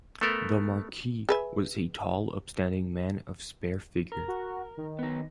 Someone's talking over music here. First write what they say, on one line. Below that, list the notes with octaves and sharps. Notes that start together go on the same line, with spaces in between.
The Marquis was a tall, upstanding man of spare figure.
A3 B3 A4 A#4
G#4 B4 E5
A#4
F#4
D#3
B3 D#4